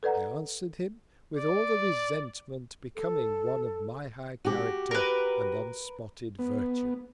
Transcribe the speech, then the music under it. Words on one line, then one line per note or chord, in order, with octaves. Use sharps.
I answer'd him with all the Resentment becoming one of my high Character and unspotted Virtue.
A4 B4 D5 F#5 A#5
D5
A4
F#4 G4
A#4 B4
B3